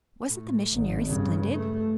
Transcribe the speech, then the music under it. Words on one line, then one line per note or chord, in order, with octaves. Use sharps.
Wasn't the missionary splendid?
A2
G#1
G2 C#3
A3